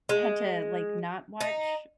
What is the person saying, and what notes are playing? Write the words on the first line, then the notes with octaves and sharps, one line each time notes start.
Had to, like, not watch
G#3
D#4